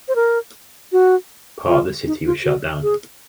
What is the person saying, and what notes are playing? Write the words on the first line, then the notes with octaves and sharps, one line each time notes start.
Part of the city was shut down.
C5
A#4
F#4
F4
D#4
F4
F#4
G#4